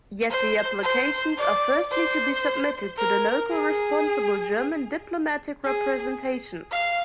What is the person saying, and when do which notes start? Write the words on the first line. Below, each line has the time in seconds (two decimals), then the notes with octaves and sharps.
Yet the applications are firstly to be submitted to the local responsible German diplomatic representations.
0.30 C5
0.83 C5
1.38 D5
1.91 C5
2.98 A#4
3.51 G#4
5.64 G#4
6.71 F5